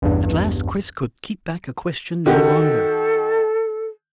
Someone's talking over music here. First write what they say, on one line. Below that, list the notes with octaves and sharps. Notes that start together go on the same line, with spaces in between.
At last Chris could keep back a question no longer.
A1 E2 G2
D#3 F#4 G4 A4